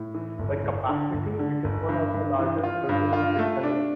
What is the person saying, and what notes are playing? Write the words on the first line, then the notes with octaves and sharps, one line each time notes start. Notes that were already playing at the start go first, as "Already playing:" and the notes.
By capacity, it is one of the largest churches in Saxony.
Already playing: A2
E3
G1
G1
D3
G1
D3
G1
G2
G2
E3
F4
G2
F4
A3
D4